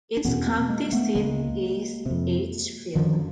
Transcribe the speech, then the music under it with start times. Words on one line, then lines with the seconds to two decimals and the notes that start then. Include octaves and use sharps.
Its county seat is Edgefield.
0.17 D4
0.25 E2 B2 B3 C#4
0.47 A#3 C4
0.69 G#3 A#3
0.92 A3 B3
1.15 C#2 C#3 G#3 A#3
2.06 F2 C3
2.95 F#2 D3 D#3 F3